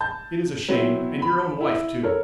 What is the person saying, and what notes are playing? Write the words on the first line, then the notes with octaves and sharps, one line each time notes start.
It is a shame, and your own wife too.
A5 G6
F#3 B3 C4 E4
B5
E4
A4 A#4 C#5